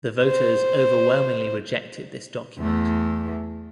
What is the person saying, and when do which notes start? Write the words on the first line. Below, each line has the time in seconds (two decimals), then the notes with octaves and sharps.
The voters overwhelmingly rejected this document.
0.23 C5
2.60 E2 A3